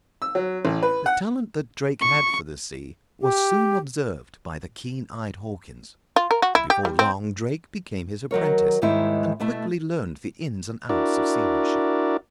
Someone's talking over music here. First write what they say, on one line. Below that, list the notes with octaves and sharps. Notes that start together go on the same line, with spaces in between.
The talent that Drake had for the sea was soon observed by the keen-eyed Hawkins, and before long Drake became his apprentice, and quickly learned the ins and outs of seamanship.
E6
F#3
A1
B4
F#5
C#6
G4
F4
A#4
F#4
E4
G4
G3
C4
D#3 F#3 A#4 C#5
D#2 G#2 D#3 G3 G#3 E4
B2 A3 E4
D4 E4 F#4 A#4 D5